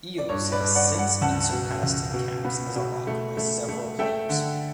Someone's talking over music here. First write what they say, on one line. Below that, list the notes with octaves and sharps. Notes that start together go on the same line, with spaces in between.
Eales has since been surpassed in caps as a lock by several players.
D5
G2 C#5
B4 D5
G2
D5 F#5
G2
D5 F#5
C#2 F#5 A5
B2
C#2
B2
B3
B2
A3
A3
A3
A3 E5 G5
D3